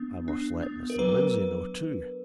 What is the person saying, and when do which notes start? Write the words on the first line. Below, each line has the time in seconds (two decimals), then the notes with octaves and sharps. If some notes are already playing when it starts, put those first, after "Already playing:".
I must let Mr. Lindsey know, too.
Already playing: B3 D4
0.28 D4
0.63 B3
0.90 A#4
0.98 F#3 B4